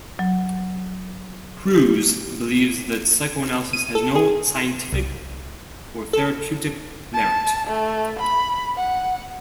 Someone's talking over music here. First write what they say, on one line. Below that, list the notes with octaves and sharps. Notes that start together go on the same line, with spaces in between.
Crews believes that psychoanalysis has no scientific or therapeutic merit.
F#3
G4
D#7
A4
G#4
C2
A4
A5
A3
B5
F#5